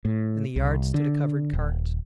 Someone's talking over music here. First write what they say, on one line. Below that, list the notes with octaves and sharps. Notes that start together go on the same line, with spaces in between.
In the yard stood a covered cart.
A2
C2
D3
D#1